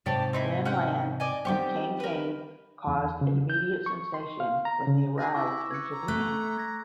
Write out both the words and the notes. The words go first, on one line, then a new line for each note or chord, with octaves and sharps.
Lan Lan and Kang Kang caused an immediate sensation when they arrived in Japan.
G#2 C3 C#5 D5 G5 A5
C4 D#4 E4
C#4 F#5 G5
D5 D#5 G#5
G3 B3 C4 G4 C#6 D6
A#4 B4
E2
C#3
G6
C#6
C6
F5
A#5
C#3
G#4 A#6
E4 C#6 D6 E6
B4 G#6 C#7
A#5
A3 F#6
G#6 A#6